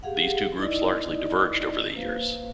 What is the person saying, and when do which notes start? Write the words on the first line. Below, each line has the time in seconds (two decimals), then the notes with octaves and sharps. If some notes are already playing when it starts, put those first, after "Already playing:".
These two groups largely diverged over the years.
0.03 G4 G#4 F5 F#5
0.58 D#4 E4 D5 D#5
1.94 A#3 B4 C5 F5